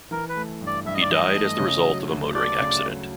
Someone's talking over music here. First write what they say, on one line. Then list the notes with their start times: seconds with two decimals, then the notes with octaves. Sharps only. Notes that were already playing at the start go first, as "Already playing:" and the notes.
He died as the result of a motoring accident.
0.11 E3 A#4
0.29 B4
0.36 A3
0.61 G2
0.67 D5
0.86 G2 E5
0.94 D#5
1.02 D5
1.10 E3 D#5
1.36 A3
1.60 C#3
1.85 F#3
2.10 D2
2.35 A3 D5
2.60 C#3
2.84 F#3